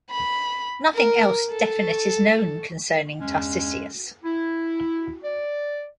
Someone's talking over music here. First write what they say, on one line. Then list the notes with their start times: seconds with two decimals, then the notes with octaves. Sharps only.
Nothing else definite is known concerning Tarcisius.
0.10 B5
0.94 A#4
1.51 A4
3.20 E2 G2 G#3 C#4
4.24 E4
5.24 D5